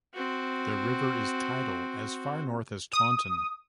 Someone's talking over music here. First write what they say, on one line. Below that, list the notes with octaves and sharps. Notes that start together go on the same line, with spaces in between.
The river is tidal as far north as Taunton.
C4 F#4
D#6